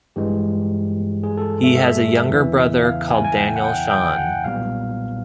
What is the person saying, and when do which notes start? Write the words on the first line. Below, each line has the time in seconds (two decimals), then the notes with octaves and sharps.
He has a younger brother called Daniel Sean.
0.16 G2 E3 G#3 G4
1.23 G#4
1.37 A4
1.64 E5
1.77 E5
2.30 E2 C#3 E3
2.84 F5
3.10 G#5
3.24 G#5
3.37 G5
3.56 F#5
3.65 G5
3.91 G5
4.17 F#5
4.44 B1 A#2 G3 B3 F5